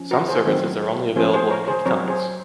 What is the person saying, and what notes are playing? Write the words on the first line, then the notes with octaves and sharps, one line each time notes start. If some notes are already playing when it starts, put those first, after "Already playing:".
Some services only are available at peak times.
Already playing: F3 C#4
F#4 A#4
G#4 C5
D#3 F#3 C4
F3 A#3 C#4 G#4 C5
G#4 C5
A#4 C#5
G#4 C5
F#3 C4 A#4 C#5
G#4 C5